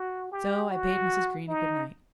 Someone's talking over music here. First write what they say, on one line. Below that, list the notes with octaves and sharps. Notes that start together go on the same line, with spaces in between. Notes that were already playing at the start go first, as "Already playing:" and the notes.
So, I bade Mrs. Green a good night.
Already playing: F#4
G4
F#4
D#4